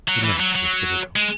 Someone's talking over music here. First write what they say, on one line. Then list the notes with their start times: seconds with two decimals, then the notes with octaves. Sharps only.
The night was bitter cold.
0.09 F#3
0.24 E3
0.40 F#3
0.55 F#3
1.16 G#3